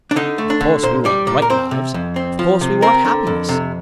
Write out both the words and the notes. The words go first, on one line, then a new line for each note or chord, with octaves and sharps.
Of course we want bright lives, of course we want happiness.
D4
D3 D#4
A3
D4
D3
A#2 C5
G3 D5
A#2 D5
A#4
C4 C5
C3
F2
C4
F3
C3
C4 A#4
D3
F2
C3